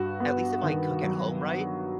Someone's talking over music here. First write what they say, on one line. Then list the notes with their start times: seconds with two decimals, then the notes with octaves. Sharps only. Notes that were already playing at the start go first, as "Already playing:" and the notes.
at least if I cook at home, right,
Already playing: G2 F#4
0.20 B3
0.62 D#3
1.03 F#3